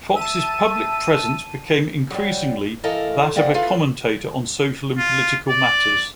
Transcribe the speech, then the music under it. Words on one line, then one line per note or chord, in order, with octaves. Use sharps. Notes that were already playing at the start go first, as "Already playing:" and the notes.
Fox's public presence became increasingly that of a commentator on social and political matters.
E5 A5 D#7
F#3 G3
E3 A4 A#4 D#5 F5
A#3 C4 D5 F#5
E4 F4 A4 B4 F5
F4
D5